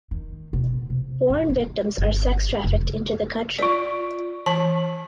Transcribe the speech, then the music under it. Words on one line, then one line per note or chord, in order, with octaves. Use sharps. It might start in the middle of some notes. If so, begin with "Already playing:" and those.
Foreign victims are sex trafficked into the country.
D#3
B2
C3
G#2
F4
G1
F1
F4 D5
E3 A5